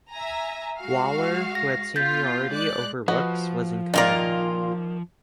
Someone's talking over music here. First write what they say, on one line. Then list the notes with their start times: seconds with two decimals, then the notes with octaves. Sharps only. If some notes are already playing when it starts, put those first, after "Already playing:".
Waller, who had seniority over Rooks, was in command.
0.11 E5 G#5 A#5
0.79 G#3 F#4 F5
1.55 A#6
1.96 B3 F4 G6 A6 B6
2.53 G#3 D5 F#6
3.08 F3 F#4 B4 D#5
3.94 A#2 D#3 A#3 F4 A#4 D5